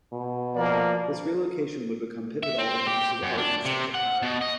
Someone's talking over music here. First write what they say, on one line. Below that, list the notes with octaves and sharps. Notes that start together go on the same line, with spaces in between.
This relocation would become pivotal in Moss' art and subject matter.
B2
F3 A#3 D5
E5
C4
G4
F#2
D4
C3
F#5
B2
D#5